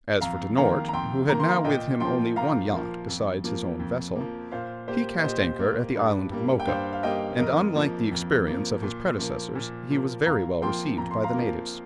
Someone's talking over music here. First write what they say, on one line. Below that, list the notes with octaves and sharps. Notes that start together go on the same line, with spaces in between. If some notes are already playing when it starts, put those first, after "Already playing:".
As for De Noort, who had now with him only one yacht besides his own vessel, he cast anchor at the island of Mocha, and, unlike the experience of his predecessors, he was very well received by the natives.
F2 F5 A#5
D#3 A#3 F5 A#5
A#5
F2 G5 C6
D#3 A#3 A#5
C6
F5 A#5
A#2 D#5 G5
F3 A#3 G5 C6
A#2 F5 A#5
F3 A#3
F2
F3 A#3
F2
F3 A#3
A#2 C5 F5
A#3 G4 C5
D#5
A#2 G4 C5
A#3
G2
G3 A#3
G5
G2 C5 F5
F5
G3 A#3 D#5 G5
F2 A#4 D#5
F3 A#3
F2
F3 A#3
A#2
F3 A#3
A#2
F3 A#3
F2 F5 A#5
F3 A#3 G5 C6
F2 A#5
C6
F5 A#5
F3 A#3